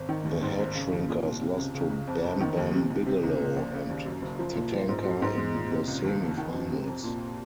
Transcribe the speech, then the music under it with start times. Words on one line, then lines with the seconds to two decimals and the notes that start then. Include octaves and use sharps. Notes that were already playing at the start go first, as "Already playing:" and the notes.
The Headshrinkers lost to Bam Bam Bigelow and Tatanka in the Semi Finals.
Already playing: G#1
0.09 D#3
0.25 D#2
0.42 G#2
0.58 G#1
0.75 C#3
0.92 D#2
1.09 A#2
1.25 C2
1.41 C3
1.57 C#2
1.75 C#3
1.91 C#2
2.07 F2
2.24 F#1
2.41 D#3
2.57 D#2
2.73 C3
2.90 C#2
3.06 C3
3.23 C#2
3.40 A#2
3.56 A#1
3.73 C#3
3.90 D#2
4.06 F#2
4.22 F#1
4.39 F3
4.55 A#2
4.72 F3
4.88 G#2
5.05 F#3
5.22 G#2
5.38 G#3
5.54 A#2
5.71 C3
5.88 C#2
6.05 D#2
6.21 F1
6.38 D#3
6.54 F#2
6.71 C3
6.87 F2
7.04 A#2